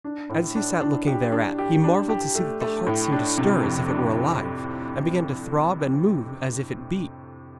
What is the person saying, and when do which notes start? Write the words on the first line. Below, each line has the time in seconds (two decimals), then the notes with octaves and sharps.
As he sat looking thereat, he marvelled to see that the heart seemed to stir as if it were alive, and began to throb and move as if it beat.
0.04 D4
0.30 A2
0.55 D4
0.81 D4
1.07 G4
1.32 D4
1.58 G4
1.84 D4
2.09 G4
2.35 A3
2.61 A3
2.87 A2
3.12 D4
3.38 C3
3.63 F2
3.89 D4